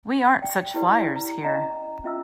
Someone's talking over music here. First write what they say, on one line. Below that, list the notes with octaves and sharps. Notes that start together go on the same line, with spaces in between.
We aren't such flyers here.
D5 G5
E4 G4 B4 D5
A#5
C#4 D#5 A#5
C#4 F4 E5 A#5 E6